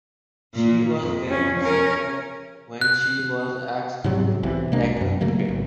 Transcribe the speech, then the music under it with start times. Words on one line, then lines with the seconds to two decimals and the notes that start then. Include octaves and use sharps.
She was therefore surprised when she was asked to tackle Kundry.
0.56 A#2
0.98 F2
1.30 C#4
1.61 C#4 A#4
2.81 F#6
4.04 G#2 C3 F#3 G3
4.43 B1 C3 E3
4.72 B2 G#3 A#3 D4
4.97 E1 F#2
5.21 C#3 F#3 A3 A#3
5.48 G#1